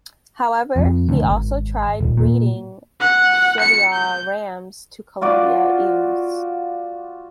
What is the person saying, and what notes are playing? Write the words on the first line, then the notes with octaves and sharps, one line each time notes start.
However, he also tried breeding Cheviot rams to Columbia ewes.
F2
D2
G#1
D#1
A#2
F#5
C#7
G6
F4 F#4 D5 D6